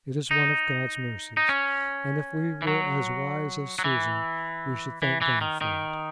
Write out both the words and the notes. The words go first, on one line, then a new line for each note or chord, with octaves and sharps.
It is one of God's mercies; and if we were as wise as Susan, we should thank God for it.
D#4
D#4
C#4
E3
F#3
F#3
E3
E3
E3
D#3
D#3